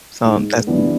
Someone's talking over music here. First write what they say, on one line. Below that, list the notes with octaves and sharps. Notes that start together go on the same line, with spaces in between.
so that's m
G#2
E3 G3 B3 D4